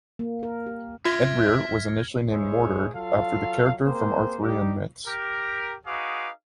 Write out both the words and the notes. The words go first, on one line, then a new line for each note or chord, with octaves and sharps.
Edrear was initially named Mordred after the character from Arthurian myths.
A#3
A#4
G4
F4 E5 C6 F6 G#6 A#6
G#3 E4 G#4 C5 C#5 E5
F#3 F4 A4 F5
A#3 C4 G#4 C5
G3 D#4 G4
G4 A#4
D#4 F#4 G#4 B4 F5 D6